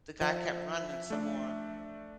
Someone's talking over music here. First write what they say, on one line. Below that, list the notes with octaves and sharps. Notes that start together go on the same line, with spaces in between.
the guy kept running some more.
F3 E5
A3 D4